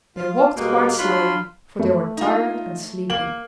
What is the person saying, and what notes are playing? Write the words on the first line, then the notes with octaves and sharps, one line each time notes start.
They walked quite slowly, for they were tired and sleepy.
F4
B2 G3 G#3 A#3
F#3 D4 F4 B5 C6
A3
D#4 F4
A#3 F#7